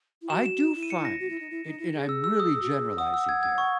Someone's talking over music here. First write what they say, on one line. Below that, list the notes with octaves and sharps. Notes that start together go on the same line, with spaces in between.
I do find it- and I'm really generalizing here-
E4
F#4 E7
E7
E7
E4
D#7
C#7
A#6
F#4
E4
D#4
E4
D#4
E4
G#4
E6
E6
D#6
G#4
F#4
G#4
F#5 D#6
E6
G#6
G#6
C#6